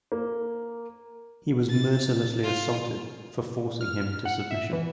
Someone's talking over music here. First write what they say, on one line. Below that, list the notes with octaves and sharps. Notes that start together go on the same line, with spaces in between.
He was mercilessly assaulted for forcing him to submission.
A#3
A6
F4
F6
F#5
E5
E3